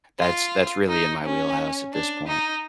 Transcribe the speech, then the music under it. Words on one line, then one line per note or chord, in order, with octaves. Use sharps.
That's that's really in my wheelhouse at this point.
F4
D#4
C#4
D4
D#4